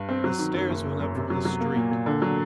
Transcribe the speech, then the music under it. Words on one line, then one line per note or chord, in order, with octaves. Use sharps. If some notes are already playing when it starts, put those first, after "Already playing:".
The stairs went up from the street.
Already playing: G2
C4
F#3
D#3
F#2
F#1
F#2
F#2
C3
F#3
F#3
A#3
A#2
A#2
D3
F#3